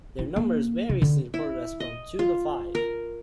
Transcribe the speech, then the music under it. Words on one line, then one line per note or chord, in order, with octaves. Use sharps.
Their number is variously reported as from two to five.
E4
A#3
C#3
D3
E4
D#5
F4
A#4